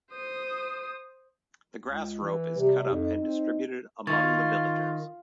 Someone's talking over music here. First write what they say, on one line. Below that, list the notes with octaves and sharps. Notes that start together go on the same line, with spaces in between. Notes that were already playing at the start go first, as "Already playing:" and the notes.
The grass rope is cut up and distributed among the villagers.
C5 D#6
C#2
E3
C3 G3
F2 D#4
C4
D#3 F4 C#6 G#6 A6